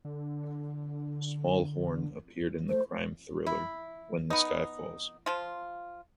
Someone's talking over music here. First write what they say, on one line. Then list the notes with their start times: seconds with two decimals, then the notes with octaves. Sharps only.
Smallhorne appeared in the crime thriller "When the Sky Falls".
0.05 D3
2.69 A3 C5
3.47 E4
4.30 B3 D#4
5.26 F3 F4